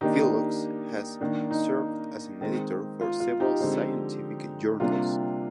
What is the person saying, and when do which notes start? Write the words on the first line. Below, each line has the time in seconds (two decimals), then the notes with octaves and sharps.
Filloux has served as an editor for several scientific journals.
0.01 D#3 A#3 D4 D#4 G4
1.21 D#3 A#3 D4
1.51 D#4
2.41 D#3 G#3 C4
3.01 F4
3.20 F4
3.40 D#4 G4
3.61 D3 F3 G#3 C4
4.80 C3 G3 A#3 D4 F4